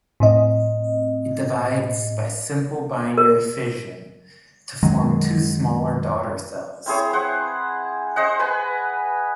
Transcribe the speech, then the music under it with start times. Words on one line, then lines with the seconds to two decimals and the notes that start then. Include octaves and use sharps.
It divides by simple binary fission to form two smaller daughter cells.
0.20 A2 C4 D#5
3.18 A#4
4.83 F#2 D#3 F#3 G#3
6.86 C4 E4 G#4 C#5
7.13 C5 F#5
8.16 C5 D#5 F#5
8.39 B4 G#5